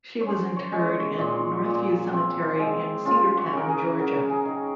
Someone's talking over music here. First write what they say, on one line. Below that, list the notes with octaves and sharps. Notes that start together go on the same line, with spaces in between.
She was interred in Northview Cemetery in Cedartown, Georgia.
C#5
C#4 C5
C#5
G#3
C#5
A#2 F4
A#2
C4
G#3
C#3 F4
F#4
C#3 A#4
G#4
F#3 A#4
G#4
D#3